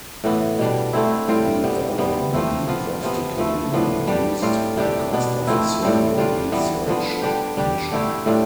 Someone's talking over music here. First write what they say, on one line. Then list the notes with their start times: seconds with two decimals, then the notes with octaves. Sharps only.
The Aerobee drastically reduced the cost of a single research mission.
0.24 A2 E3 B3
0.59 B2 G3 D4
0.93 D3 A3 C4 E4
1.28 A2 G3 C4 F4
1.64 C3 G3 B3
1.98 C3 G3 B3
2.33 F3 A3 C4 E4
2.68 F3 B3 F4
3.03 C3 F3 B3
3.38 F3 A3 E4
3.73 A2 F3 B3 D4
4.07 G3 D4 G4
4.42 A2 G3 C4 F4
4.77 C3 G3 D4 G4
5.13 B2 B3 D4
5.47 F3 A3 C4 E4
5.82 A2 G3 C4
6.17 G3 D4 F4
6.52 E3 G3 B3
6.87 D3 F3 B3
7.22 D3 G3 D4 G4
7.57 G3 D4 G4
7.92 D3 A3 E4 G4
8.26 A2 G3 D4 F4